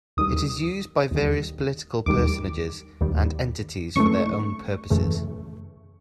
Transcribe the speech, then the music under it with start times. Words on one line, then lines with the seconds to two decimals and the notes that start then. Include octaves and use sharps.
It is used by various political personages and entities for their own purposes.
0.17 D#2 D#3 G3 D#6
1.11 D#2 D#3 G3
2.06 D#2 D#3 G3 D6
3.01 D#2 D#3 G3
3.96 F#2 C#3 E3 A3 C#6
4.90 F#2 C#3 E3 A3